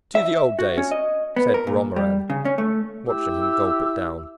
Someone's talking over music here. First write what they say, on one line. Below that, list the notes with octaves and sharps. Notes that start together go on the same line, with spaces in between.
"To the old days," said Romarin, watching him gulp it down.
E5
F#4
C#4
D#5
B3
A#4
A#2
G3
C#3
C#4
A3
E4 G4 E6